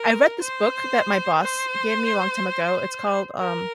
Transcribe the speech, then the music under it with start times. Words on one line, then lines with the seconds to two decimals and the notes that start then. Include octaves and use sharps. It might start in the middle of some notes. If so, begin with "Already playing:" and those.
I read this book that my boss gave me a long time ago, it's called, um
Already playing: A#4
0.42 C5
1.41 C5
3.39 A#4